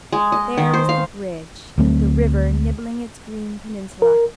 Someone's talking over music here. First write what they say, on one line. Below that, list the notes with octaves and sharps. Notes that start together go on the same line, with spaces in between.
There was the bridge, and the river nibbling its green peninsula.
G#3
D#5
D#3
C5
F5
D2 F#3 A3 C4
A#4